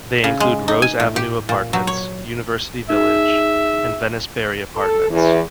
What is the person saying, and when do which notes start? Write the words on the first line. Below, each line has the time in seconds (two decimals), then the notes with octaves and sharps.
They include Rose Avenue Apartments, University Village, and Venice-Barry Apartments.
0.24 C#3
0.40 G#3
0.68 D#4
0.82 G#5
1.00 A2
1.16 G4
1.49 A#2
1.73 F#3
1.87 C#5
2.90 D#4 G#4 E5
4.77 A4
5.11 E2 E3